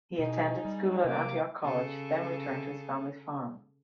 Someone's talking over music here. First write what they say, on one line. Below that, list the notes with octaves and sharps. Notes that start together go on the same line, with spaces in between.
He attended school at Antioch College then returned to his family's farm.
B2 D#4 G#4
G3
C3 A#3 D6
C#3 A4